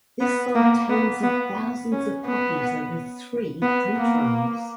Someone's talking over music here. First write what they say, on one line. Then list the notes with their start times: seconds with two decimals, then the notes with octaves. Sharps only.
This sold tens of thousands of copies over three print runs.
0.21 B3
0.55 A#3
0.89 B3
1.23 B3
1.92 C#4
2.26 B3
3.62 B3
3.96 A#3